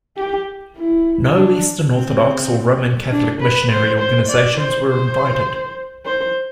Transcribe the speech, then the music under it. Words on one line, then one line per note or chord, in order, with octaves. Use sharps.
No Eastern Orthodox or Roman Catholic missionary organisations were invited.
G4
E4
D4
C4
D4
B4
C5
C5
D5
C5
C5
C5